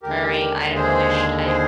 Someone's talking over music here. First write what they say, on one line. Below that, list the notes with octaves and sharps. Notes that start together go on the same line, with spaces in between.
Prairie, Idaho-ish type
D#2 D3 G#3 G4 A#4
G#4 C5
G#4 C5